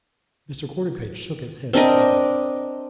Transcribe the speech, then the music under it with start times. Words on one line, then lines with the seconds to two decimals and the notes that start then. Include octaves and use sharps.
Mr. Quarterpage shook his head sadly.
1.73 C4 D4 A#4 D#5